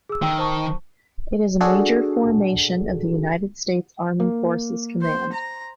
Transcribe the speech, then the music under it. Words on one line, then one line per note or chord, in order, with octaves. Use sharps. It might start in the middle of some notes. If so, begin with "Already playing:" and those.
It is a major formation of the United States Army Forces Command.
G#4 E6
D#3 G5 E6
C5 A5 C#6
D4 F#4 G#4 A4
A#3
C5
A#5